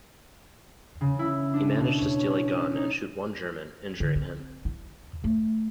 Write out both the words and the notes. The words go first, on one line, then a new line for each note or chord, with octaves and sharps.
He managed to steal a gun and shoot one German, injuring him.
C#3
E4
D4
B2
C#5
C#4
D#4
D3
C4
E4
A3